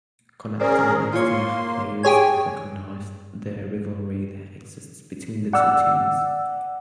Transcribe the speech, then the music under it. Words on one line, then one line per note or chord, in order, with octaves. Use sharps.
Connacht and Leinster players have recognized the rivalry that exists between the two teams.
C#4 G#4 A#4 C5 D5
A#3 F4 C#5 C6
G4 G#4 C#5 G#5
D5 F#5 E6